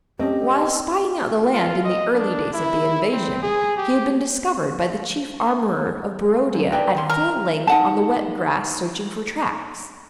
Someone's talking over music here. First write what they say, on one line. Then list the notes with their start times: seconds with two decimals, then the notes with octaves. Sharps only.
While spying out the land in the early days of the invasion, he had been discovered by the Chief Armourer of Barodia at full length on the wet grass searching for tracks.
0.19 A3 C4 C#4 G4 D#5
1.53 F4
1.85 D#5
2.13 D4
2.54 E4
3.12 C4
3.42 G#4
3.77 G4
6.54 F#2
6.72 B4 D5 G5
6.95 D#3 C6
7.10 A#4
7.67 D#4 F#5 A5